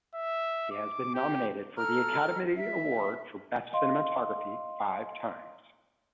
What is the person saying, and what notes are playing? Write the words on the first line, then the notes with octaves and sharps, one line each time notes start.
He has been nominated for the Academy Award for Best Cinematography five times.
E5
D6
G4
A4 A#5 F6
E5
D#5 F5 C6